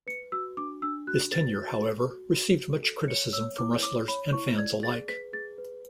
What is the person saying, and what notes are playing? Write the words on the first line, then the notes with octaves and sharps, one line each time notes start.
His tenure, however, received much criticism from wrestlers and fans alike.
B4 C#7
F#4 E6
D4 D6
D4 E6
F#4 F#6
B4 A6
F#4
A4
F#4
F#4
F#4
A4
C#5 C#7
C#5 E6
E4 D6
C#5 D6
C#5 B5
E4 C#6
D5 G#6
G#4 A6
B4 B6
G#4 A6
B4